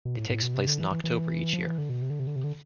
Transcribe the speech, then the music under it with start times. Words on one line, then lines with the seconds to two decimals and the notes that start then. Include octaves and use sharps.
It takes place in October each year.
0.05 B2
0.17 A2
0.30 A2
0.42 B2
0.54 C3
0.67 D3
0.80 E3
0.91 E3
1.04 E3
1.53 F3
1.66 E3
1.78 D3
1.89 B2
2.02 C3
2.10 D3
2.20 C3
2.27 D3
2.36 C3
2.44 D3